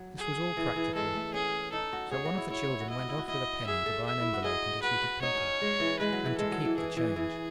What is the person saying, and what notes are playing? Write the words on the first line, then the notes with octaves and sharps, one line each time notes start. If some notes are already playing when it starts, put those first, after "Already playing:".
This was all practical, so one of the children went off with a penny to buy an envelope and a sheet of paper, and to keep the change.
Already playing: F#3
G#4
E3
E3
G#3 A4
A3
C#4 G#4
D#4 A4
F#4
G#4 C#5
F#4
E4
E4 C#5
E4
F#4
E4 D#5
F#4
E4
F#4
E4 D#5
G#4 E5
A4
E5
E4
F#4
G#4 D#5
F#4 B4
F#4
D#4 C#5
C#4
G#3
E3
G#3 B4
F#3
E3
G#3 A4
F#3
E3
E3 G#4
E3
E3